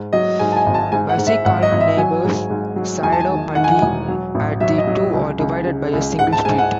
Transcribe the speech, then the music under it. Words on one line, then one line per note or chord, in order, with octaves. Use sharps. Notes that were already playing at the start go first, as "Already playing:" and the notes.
Bassi Kalan neighbors Saido Patti, and the two are divided by a single street.
Already playing: G#2
F#3 D#5
G#2 G#5
A5
G#5
G#1
A5
G#2 G#5
F#5
G#2
E5
G#1 F#5
D#5
G#1
E5
F#3 G#5
G#2
G#2
F#3
E2 G#5
A5
G#5
D#3
D#3 F#5
G#5
F#5
E1
F#3
A1
F#3 E5
D#5
F#3
C#2
C#2
C#3
C#2
G#2 F#5
A5
G#2 G#5
F#5